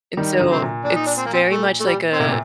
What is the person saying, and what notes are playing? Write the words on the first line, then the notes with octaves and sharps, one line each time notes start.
And so it's very much like a
D#3 G3
D3 F#3
C3 C4
A#2
A#2 D4
D#4
D4
C4
A#3
C4
A3
A3
G3
C4
A2 C3 A#3
A#2